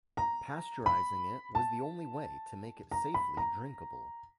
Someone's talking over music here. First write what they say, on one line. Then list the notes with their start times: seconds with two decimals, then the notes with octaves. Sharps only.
Pasteurizing it was the only way to make it safely drinkable.
0.17 A#5
0.86 B5
1.55 A5
2.92 A#5
3.14 B5
3.37 A#5